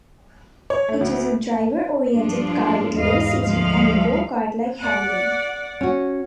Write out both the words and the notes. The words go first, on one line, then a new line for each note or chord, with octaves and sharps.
It is a driver oriented car with low seating and go kart like handling.
C#5
A3
D2
G2 F3 D4 F4
E2 G#2 B3 D#5 F5
D2 F3 G#3 F5
D5 F#5
C#4 F#4